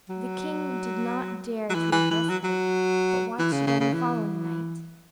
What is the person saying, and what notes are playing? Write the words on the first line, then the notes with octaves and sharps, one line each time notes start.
The king did not dare to address her, but watched again the following night.
F#3
F#3
E3
E3
E3
F#3
F#3
E3
C#3
C#3
C#3
E3